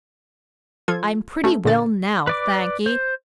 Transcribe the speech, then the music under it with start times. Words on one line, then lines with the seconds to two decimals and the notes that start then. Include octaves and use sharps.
I'm pretty well now, thank ye.
0.88 F3 F4 A4 G#6
1.44 A3 C#4
1.65 A#2 D3 A6
2.27 B4 D5 D6
2.86 C5